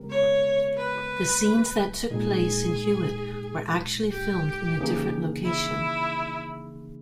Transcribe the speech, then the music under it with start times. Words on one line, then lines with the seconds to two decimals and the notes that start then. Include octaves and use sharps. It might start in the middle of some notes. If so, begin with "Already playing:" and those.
The scenes that took place in Hewitt were actually filmed in a different location.
Already playing: C#3 G#3 B3 G4 A#4
0.10 C#5
0.78 B4
2.10 A#2 G#3 D#4 G#4
4.12 G4
4.79 C#3 E3 A#3 D#4 G#4
5.45 E4